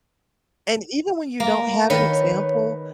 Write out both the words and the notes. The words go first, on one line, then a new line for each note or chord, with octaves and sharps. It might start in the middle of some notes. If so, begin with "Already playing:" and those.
And even when you don't have an example
A#3
D#3 B4 C#5